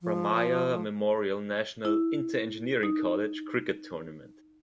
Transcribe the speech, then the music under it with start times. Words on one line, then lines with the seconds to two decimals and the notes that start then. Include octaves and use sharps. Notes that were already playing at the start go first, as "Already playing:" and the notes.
Ramaiah memorial national inter-engineering college cricket tournament.
0.02 F3
1.85 E4
2.83 D#4